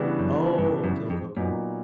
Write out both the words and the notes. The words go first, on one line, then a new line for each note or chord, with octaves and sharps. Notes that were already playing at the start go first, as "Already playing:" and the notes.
Oh, okay, okay, okay.
Already playing: C#3 E3 G3 B3 D4
F#2
G2
F#2
F2
F#2 A#2 F#3 B3 D#4